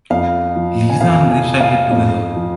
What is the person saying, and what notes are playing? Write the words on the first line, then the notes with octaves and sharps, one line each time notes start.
Liza and Grisha get together.
F2 F5
F3
G#5
F2 F5
G#5
F3
F5
F2
F3